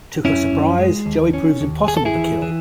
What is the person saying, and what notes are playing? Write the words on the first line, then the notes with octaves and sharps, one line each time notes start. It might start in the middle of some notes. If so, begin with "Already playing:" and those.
To her surprise, Joey proves impossible to kill.
F#2 C#4 E4
F#2
G#3
D#2
C#4
D#2
D#2 G#4
A4
E4 G#4
E3
E3